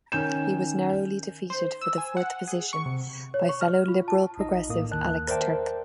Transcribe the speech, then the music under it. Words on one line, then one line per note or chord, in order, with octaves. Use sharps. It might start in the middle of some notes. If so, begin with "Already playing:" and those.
He was narrowly defeated for the fourth position by fellow Liberal-Progressive Alex Turk.
D#3 C#4 G6 E7
C5
E6
G#5
F#5
G#4
C#6
C3
C#5
C#6
F6
F4
A5
A#1 D#4 D#5
A2 A#3 D#6
D#2 D#3 A5 F#6
A#4 C5 D5 E5 G5 A5